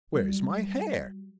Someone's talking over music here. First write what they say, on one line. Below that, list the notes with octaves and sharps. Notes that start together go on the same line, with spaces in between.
Where's my hair?
F#3 G3